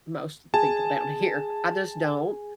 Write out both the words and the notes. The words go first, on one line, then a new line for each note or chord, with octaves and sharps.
most of the people down here, I just don't.
G#4 A5